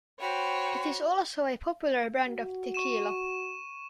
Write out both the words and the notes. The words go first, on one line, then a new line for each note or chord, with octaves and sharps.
It is also a popular brand of tequila.
F#4 C5 C#5 G5 B5
F#4
C#6 D#7 E7